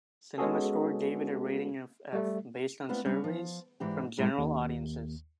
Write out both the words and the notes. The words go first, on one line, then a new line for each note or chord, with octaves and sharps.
CinemaScore gave it a rating of "F" based on surveys from general audiences.
G#3 B3 C#4 F#4 G#4 A4
G3 A3
A3 B3 C4 D4 F4 B4
G3 C#4 D4
F3
G#2 E3 D4 G4
F#2 A2 G3 G#3 E4
D#2